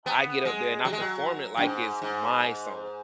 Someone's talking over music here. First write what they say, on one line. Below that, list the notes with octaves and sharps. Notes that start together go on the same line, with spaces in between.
I get up there, and I perform it like it's my song.
B3
G#3
F#3
G#3
F#3
F#2
G#2
G#2